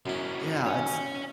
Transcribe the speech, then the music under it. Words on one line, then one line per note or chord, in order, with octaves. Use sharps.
Yeah, it's
F#2 C#3 C#4 E4
C#5 G#5